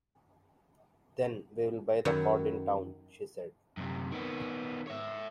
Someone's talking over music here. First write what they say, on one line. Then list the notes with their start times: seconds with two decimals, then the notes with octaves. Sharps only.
"Then we will buy the cord in town," she said.
2.05 F#2 D#3 F#3 E4 F#5
3.77 F#2 C3
4.12 D#3 B3
4.87 C#5 E5